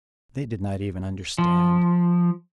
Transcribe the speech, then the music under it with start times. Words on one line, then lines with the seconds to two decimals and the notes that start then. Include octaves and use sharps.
They did not even understand.
1.38 F3